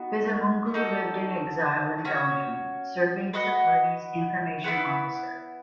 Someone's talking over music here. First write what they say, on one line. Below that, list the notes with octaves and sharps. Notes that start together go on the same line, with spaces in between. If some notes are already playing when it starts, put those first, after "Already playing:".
Bizimungu lived in exile in Belgium, serving as the party's information officer.
Already playing: B3 D#4 F#4
D#4 F#4 A4
C#4 F#4 C#5
F#4 B4 D#5 F#5
B3 E4 B4 F#5